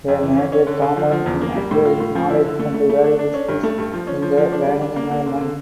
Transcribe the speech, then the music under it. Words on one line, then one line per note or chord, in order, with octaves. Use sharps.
A major component in acquiring knowledge and valuable skills in the learning environment.
F2
E3
C#4
C#4
D3
D3
F3
F3
E2
A#3
G3
A2
F4
A2
F3
E4
D3
A3
A3
A3
D4
D4
C#4
G2
A3
G2
F3
C#4
F3
F3
D4
G3
D4
A#3
A#3
D3
D3